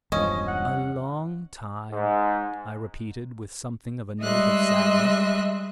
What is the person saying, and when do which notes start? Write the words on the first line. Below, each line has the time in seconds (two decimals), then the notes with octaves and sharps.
"A long time," I repeated with something of a note of sadness.
0.12 E1 G2 F3 C#4 D#5 D#6
0.48 F#5
1.92 G#2
4.21 G3 G#3 D#5 E5 C6 F#6